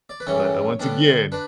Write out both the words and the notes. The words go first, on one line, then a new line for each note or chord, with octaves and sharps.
But a once again
D5
B4
F#2 C#3 E3 G3 C#5
D3 G3 B3 D4
D4 B4